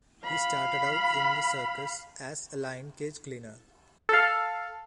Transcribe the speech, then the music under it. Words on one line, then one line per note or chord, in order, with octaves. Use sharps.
He started out in the circus as a lion-cage cleaner.
F5 B5
A4 F5